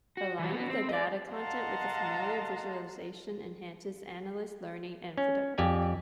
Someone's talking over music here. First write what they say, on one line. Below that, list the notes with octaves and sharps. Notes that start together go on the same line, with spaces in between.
Aligning the data content with a familiar visualization enhances analyst learning and productivity.
F#4
E3 F#3
B3 F#4
C4
D5 D#5
D#5 F5 F#5 A5 A#5 C6
C#4
F2 G4 D5 G#5